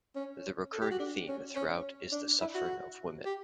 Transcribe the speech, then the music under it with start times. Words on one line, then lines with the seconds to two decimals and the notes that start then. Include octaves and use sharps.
The recurring theme throughout is the suffering of women.
0.16 C#4
0.73 A4
0.82 G4
0.91 F#4
1.00 D4
1.28 C#4
1.56 C#4
2.12 D4
2.41 E4
2.55 F#4
3.26 G4